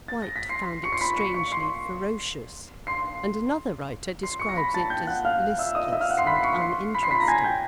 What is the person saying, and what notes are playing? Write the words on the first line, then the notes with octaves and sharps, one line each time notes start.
White found it strangely ferocious, and another writer describes it as listless and uninteresting.
A6
A#6
B6
C6 C7
C#6 C#7
C6 C7
B5 B6
C#6 C#7
C#6 C#7
C6 C7
C6 C7
C6 C7
C#6 C#7
A#6
B5 B6
A5 A6
G5 G6
F#5 F#6
F5 F6
E5 E6
D#5 D#6
E5 E6
F5 F6
F#5 F#6
C6 C7
B5 B6
C7
C#6 C#7
C6 C7
B5 B6
C6 C7
B5 B6
A#5 A#6
G#5 G#6
G5 G6